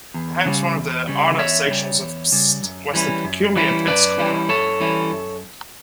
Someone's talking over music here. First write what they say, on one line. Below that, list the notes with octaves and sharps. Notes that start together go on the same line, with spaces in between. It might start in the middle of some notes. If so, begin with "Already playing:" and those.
Perhaps one of the odder sections of "Pssst" was the "Peculiar Pets Corner".
E2
C#3 G3
E2
C#3 G3
E2 C#5 E5
C#3 G3
E2
C#3 G3
F#2
E3 G3 C#4 E4
F#2
E3 G3 C#4 E4
F#2 B4 D5
E3 G3 C#4 E4
F#2 A4 C#5
E3 G3 C#4 E4
F#2